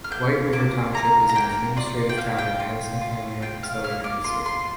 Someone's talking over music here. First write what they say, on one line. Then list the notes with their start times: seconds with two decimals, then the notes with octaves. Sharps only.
White River Township is an administrative town in Madison County, Arkansas, United States.
0.04 F6
0.11 A#3 G6
0.53 A#3 D6
0.94 A#3 A#5
1.29 A#5
1.35 A#3 G5
1.77 F4 D5
2.09 G5
2.18 A#3 F5
2.39 G5
2.60 F4
3.01 F4
3.42 F4 G5
3.63 F5
3.84 A#3 F6
4.04 D6
4.24 F4 C6
4.46 C6